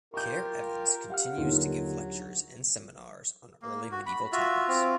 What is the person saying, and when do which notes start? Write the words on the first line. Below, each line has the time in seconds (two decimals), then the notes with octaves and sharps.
Care Evans continues to give lectures and seminars on early medieval topics.
0.14 F4 G4 A#4 C#6 G6
1.10 G4 F5 F#5 F6
1.37 D#2 D3 D#3 F#3 F4
3.62 A#3
3.91 F#4
4.06 B5
4.32 F4 F#4 E5
4.68 C4 F4